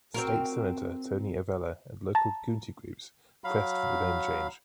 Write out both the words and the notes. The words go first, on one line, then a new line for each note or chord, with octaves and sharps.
State Senator Tony Avella and local community groups pressed for the name change.
C4 F#4 A#4
A5 A#5
F#3 F5 B5